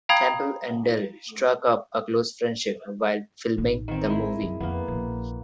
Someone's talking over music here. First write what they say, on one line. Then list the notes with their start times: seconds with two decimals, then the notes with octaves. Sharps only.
Temple and Dell struck up a close friendship while filming the movie.
0.09 F5 G5 A#5 B5 D#6 G#6
3.57 A1 D#4
3.88 D#3 C4
4.05 E4 G#4 D#5
4.42 F#2
4.60 F2 A#3 B3
4.88 A#1 A#2